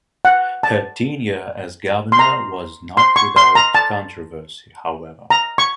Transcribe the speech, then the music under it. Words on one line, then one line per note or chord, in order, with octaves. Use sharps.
Her tenure as governor was not without controversy, however.
F#5
A5
C6
A#5
C6
C#6
C6
A#5
A5
A#5
C#6